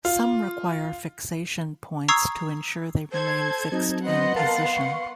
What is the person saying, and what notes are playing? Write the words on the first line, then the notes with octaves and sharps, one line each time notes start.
Some require fixation points to ensure they remain fixed in position.
F4
A#5 C#6 D#6 E6 G#6 C7
A4 C5 A5 G#6
F#3 C4 D#4
B3 D#5 F#5 C6
A#4 F5 A5
C#6